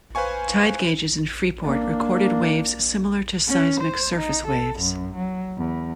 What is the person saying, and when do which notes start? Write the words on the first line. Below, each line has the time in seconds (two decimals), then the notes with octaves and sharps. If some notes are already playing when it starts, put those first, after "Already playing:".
Tide gauges in Freeport recorded waves similar to seismic surface waves.
0.15 B4 C5 F5 G#5 C#6
1.61 A#3 D4
3.47 C#4
3.81 C5
4.17 D#4
4.48 A4
4.80 F#2
5.16 F#3
5.58 E2